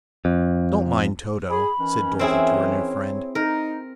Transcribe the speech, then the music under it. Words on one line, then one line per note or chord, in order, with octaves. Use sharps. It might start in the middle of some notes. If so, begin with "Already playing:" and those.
"Don't mind Toto," said Dorothy to her new friend.
F2
G#4 B5
D#3 E3 C#4
C4 E4 G#4 C#5
D#4 A#4